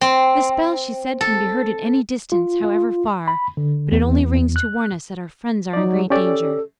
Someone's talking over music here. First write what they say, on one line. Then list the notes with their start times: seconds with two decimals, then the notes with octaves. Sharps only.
'This bell,' she said, 'can be heard at any distance, however far, but it only rings to warn us that our friends are in great danger.
0.01 C4
1.21 A4
2.32 F4
2.64 F4
3.28 B5
3.57 D3
3.92 E2
4.56 F#6
5.73 F#3 D#4 D5
6.10 C#4 G4 A4 D5